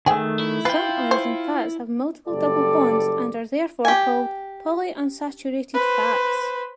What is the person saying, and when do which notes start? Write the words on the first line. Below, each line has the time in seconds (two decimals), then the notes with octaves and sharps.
Some oils and fats have multiple double bonds and are therefore called polyunsaturated fats.
0.06 D#3 A3 G#4 G5
0.40 E4
0.65 F4 B4 G5
1.11 C5
2.28 F#1 G3 A4 D5
3.85 G4 G#5
5.74 B4 C5